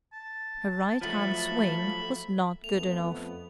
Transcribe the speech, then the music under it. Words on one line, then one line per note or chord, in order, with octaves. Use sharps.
Her right hand swing was not good enough.
A5
F3 F#3 A3 E5 B5
F2 A3 B3 F7